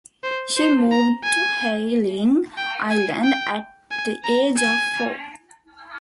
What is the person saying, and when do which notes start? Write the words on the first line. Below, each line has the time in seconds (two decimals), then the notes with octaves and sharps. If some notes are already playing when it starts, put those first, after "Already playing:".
She moved to Hayling Island at the age of four.
0.24 C5
0.57 C5
0.91 A#5
1.24 G#5
2.57 G5
2.90 G#5
3.24 G5
3.91 G#5
4.24 A#5
4.57 G#5